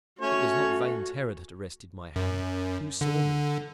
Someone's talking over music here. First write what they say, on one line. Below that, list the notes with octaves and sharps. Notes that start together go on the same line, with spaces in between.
It was not vain terror that arrested my hand. Who saw me?
A3 C#4 F#4 C#5
F#2
D3